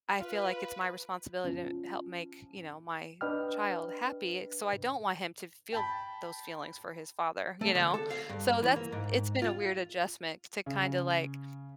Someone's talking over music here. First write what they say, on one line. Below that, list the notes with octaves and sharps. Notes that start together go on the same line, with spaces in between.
I feel like it's my responsibility to help make, you know, my child happy. So, I don't want him to feel those feelings for his father. You know? So that's It's been a weird adjustment to kinda, like,
F4 B4
F3 C#4
D4 B4 D#5 G5 F6
G5 A5 B5
A3
D3
A4
F5
G2
E3
A#3
G#2
F4
C#3